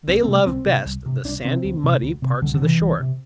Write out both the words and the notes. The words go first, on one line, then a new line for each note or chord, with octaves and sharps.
They love best the sandy, muddy parts of the shore.
C2 C4
C4
C3 A3
C2 C4
C3
C2
C3
C2 D4
C3 C4
D2
C3
D2
C3
C2 D3
D3
C3 E3
C2
C3